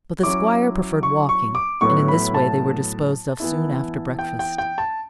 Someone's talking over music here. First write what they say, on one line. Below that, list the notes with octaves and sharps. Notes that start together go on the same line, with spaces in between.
But the squire preferred walking, and in this way they were disposed of soon after breakfast.
F#3 C#4 E4 D6
C#6
C#6
D6
A2 F#3 B3 E4 C#6
B5
A5
E3 B3 E4
G5
G5
G5
A5